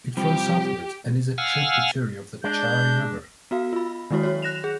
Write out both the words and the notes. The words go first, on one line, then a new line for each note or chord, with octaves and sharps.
It flows southwards, and is a tributary of the Chari River.
C3 F3 G3 G4
F5 F#5 G#5 E6 F6
G#3 D4 G6
B3 F#4 F5
F4 B5
D#3 F#3 G#3 E4 F#4 C#5
F#4 C#5
F#6 A#6 E7 F7
G#4